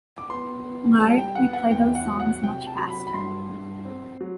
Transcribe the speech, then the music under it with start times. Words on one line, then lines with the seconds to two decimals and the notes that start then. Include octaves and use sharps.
Live we play those songs much faster.
0.18 D6
0.30 B3 C6
0.64 B3
1.00 G3 A5
1.18 G5
1.35 B3 F#5
1.53 F#5
1.71 E2 G5
1.95 F#5
2.07 F#3
2.20 F#5
2.43 C3 G5
2.67 A5
2.79 F#3
2.90 B5
3.07 B5
3.14 G2 C6
3.50 G2
3.85 C4
4.21 F#3